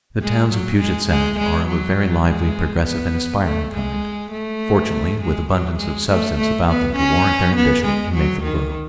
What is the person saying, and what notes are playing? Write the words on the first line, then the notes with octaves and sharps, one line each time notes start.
The towns of Puget Sound are of a very lively, progressive, and aspiring kind, fortunately with abundance of substance about them to warrant their ambition and make them grow.
G#3
F#3
G#3
G#3
G#3
F#3
G#3
B3
A3
G#3
A3
G#3
F#3
G#3
A3
A3
B3
C#4
B3
G#3
F#3
D#3